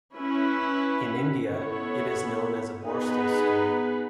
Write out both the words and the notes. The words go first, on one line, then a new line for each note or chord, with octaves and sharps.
In India, it is known as a borstal school.
C#4 E4 B4
B3 E4 A4 C#5
B3 D#4 G#4 B4